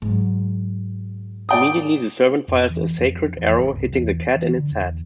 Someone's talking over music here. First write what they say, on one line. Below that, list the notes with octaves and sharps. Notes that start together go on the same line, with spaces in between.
Immediately the servant fires a sacred arrow, hitting the cat in its head.
G#2 F#3
D5 G5 D#6
F2
E3
F2
E2
G1
C2
E2
E3
D3
E2